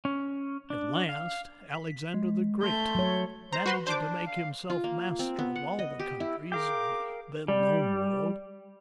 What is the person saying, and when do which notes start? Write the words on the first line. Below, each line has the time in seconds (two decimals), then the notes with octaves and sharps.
At last Alexander the Great managed to make himself master of all the countries of the then-known world.
0.05 C#4
0.70 D4
1.09 F5
1.74 B6
2.14 G#3
2.63 A3 C6 G6
2.95 F#3 C#5
3.53 C5 A#5
3.66 F#4 B4 C6
3.87 D4 C5 D6
4.27 F5
4.70 F4
4.84 A#3
5.19 C4
5.39 B3
5.56 F#5
5.79 D#5
5.99 G4
6.20 E4
6.52 G#4 A#4 F5 G5 D6
7.48 G3